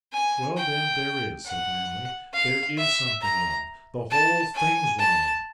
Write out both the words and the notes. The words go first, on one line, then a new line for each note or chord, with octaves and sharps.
'Well then; there is,' said Lammle; 'there IS something wrong; the whole thing's wrong.'
G#5
G5
F#5
F5
E5
A#5
A5
G#5
A5